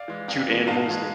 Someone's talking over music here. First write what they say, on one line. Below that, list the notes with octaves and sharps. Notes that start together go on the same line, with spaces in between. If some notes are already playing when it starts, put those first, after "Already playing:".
cute animals tha
Already playing: D5 F5
E3 G#3
F2 D5 F5
E3 G#3
G#2 F5 A5
E3 G#3